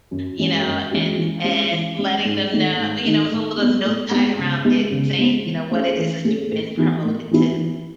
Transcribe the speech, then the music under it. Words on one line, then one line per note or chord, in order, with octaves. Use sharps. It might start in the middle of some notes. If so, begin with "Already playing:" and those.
you know, and and letting them know you know, with a little note tied around it saying, you know, what it is that you've been promoted to.
F#2
E3 G#3 C#4 F#4
F#2
E3 G#3 C#4 F#4
E3
G#3 C#4
E3
G#3 C#4
G#2
D#3 A3 D#4
G#2
D#3 A3 D#4
A2
G#3 B3
A2
G#3 B3
C#3
G#3 B3
C#3
G#3 B3
E3
A3 C#4 G#4
E3
A3 C#4 G#4
A2
E3 B3 E4
A2
E3 B3 E4
E3